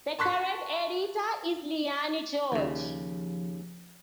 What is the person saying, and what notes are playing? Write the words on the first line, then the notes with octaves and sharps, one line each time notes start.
The current editor is Lianne George.
A5 C6 C#6 F#6 B6
D#2 C#3 F3